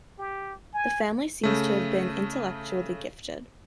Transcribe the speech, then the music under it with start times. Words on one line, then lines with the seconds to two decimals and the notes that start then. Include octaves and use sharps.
The family seems to have been intellectually gifted.
0.18 G4
0.74 G#5
1.43 C#3 A3